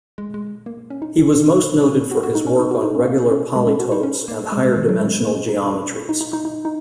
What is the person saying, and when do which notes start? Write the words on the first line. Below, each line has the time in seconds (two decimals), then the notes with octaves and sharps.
He was most noted for his work on regular polytopes and higher-dimensional geometries.
0.18 G#3
0.34 G#3
0.66 A#3
0.90 C#4
1.02 D#4
2.11 F#4
2.23 F#4
2.35 D#4
2.47 C#4
2.59 D#4
2.71 F#4
2.83 D#4
2.95 C#4
3.07 A#3
3.31 C#4
3.56 G#3
3.67 C#4
3.80 F#4
3.92 D#4
4.03 C#4
4.28 A#3
4.52 G#3
4.64 G#3
4.76 D#3
4.89 F#3
5.00 G#3
5.25 A#3
5.49 D#4
6.09 D#4
6.21 D#4
6.33 D#4
6.45 D#4
6.65 D#4